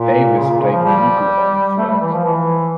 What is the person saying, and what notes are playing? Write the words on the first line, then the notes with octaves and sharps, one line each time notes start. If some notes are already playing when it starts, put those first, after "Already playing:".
Davis played flugelhorn throughout.
Already playing: A#2
C#3
A#2
C#3
F3
G3
A3
G3
E3
F3
E3